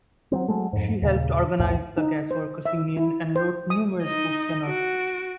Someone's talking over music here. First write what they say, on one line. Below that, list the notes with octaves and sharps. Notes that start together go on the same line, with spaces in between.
She helped organise the Gasworkers' Union and wrote numerous books and articles.
F#3 G3 C4
F#3 G#3 A3
F2 G#2
D#2 A#2 C#3
B1 E2 A2
D#4
C5
E5
E4
C5
D#6
D#4 D#5
F#4 D7